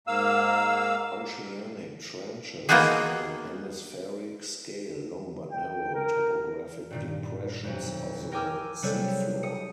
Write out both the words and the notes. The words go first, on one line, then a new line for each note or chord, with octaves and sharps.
Oceanic trenches are hemispheric-scale long but narrow topographic depressions of the sea floor.
G#2 A#3 F5 E6
A#3 B3 D#4 F4 F#4 G#4
G5
A#4
G2 A#2 D#3
B1 F2
A#4 G5 G#5 D6 E6 F6
C3 F#3 G3 C#4 G#4 A4
D#6 C#7